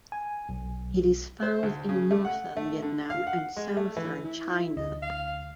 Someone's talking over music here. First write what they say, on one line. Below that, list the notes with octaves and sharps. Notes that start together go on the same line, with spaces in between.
It is found in northern Vietnam and southern China.
G#5
B1
C5
D2
C#3
A3
F#5
A3
D3
F5
F#5
G#3
A3
E3
E4
D2 D3 D#5
F5